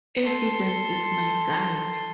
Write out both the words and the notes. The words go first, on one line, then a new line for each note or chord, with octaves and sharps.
Evidence is my guide.
A4 C6